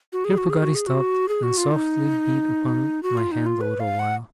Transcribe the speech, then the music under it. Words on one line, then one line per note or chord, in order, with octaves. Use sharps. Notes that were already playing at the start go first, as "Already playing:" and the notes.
Here Peggotty stopped, and softly beat upon my hand a little while.
F#4
G#4
F#4
G#4
F#4
G#4
F#4
G#4
F#4
F4
D#4
F#4
F4
D#4
F4
B4
F5
F#5